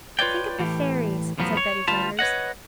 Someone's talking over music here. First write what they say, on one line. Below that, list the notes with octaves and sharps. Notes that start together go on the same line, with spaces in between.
"Think of the fairies," said Betty Flanders.
F4 B4 C#5 D5 G5
A2 E3 G4
B1 E2 A2 F3 F#3 B3
C#5
D2 G3 F4 B4 A5
B4 C#5 D#5 F#5